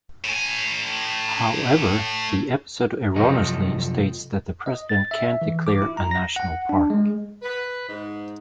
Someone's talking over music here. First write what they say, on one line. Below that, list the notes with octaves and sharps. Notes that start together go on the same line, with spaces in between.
However, the episode erroneously states that the President can declare a National Park.
A2 G#5
C2 F#2 F3 A4 D#5
D#5
A6
E5
E3
D6
E4
A#5
A#6
F#5
D4
G#3
B4
G#2